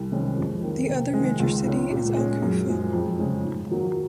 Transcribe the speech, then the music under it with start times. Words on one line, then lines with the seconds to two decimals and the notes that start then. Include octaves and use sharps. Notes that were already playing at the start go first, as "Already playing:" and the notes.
The other major city is Al Kufah.
Already playing: C2
0.12 C3 D#3 G#3 C#4
0.37 F2
0.62 D#3 A#3
0.88 C3
1.13 D#3 G#3
1.40 C#2
1.65 C#3 G#3 C#4
1.90 A#2
2.16 G#3 C#4
2.42 F#2
2.67 F3 G#3
2.93 F2
3.19 C#3 F3 G#3 C#4
3.44 G#2
3.69 D#3 F#3 A#3